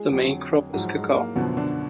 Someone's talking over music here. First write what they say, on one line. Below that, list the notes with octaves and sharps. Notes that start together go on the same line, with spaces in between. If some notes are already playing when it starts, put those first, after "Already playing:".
The main crop is cocoa.
Already playing: G#3 G#4
F2 D3 F#3
G#2 F3 F#3 F#4
G#3
A#3
F#2 B2 D3 F3 B3
D3 D4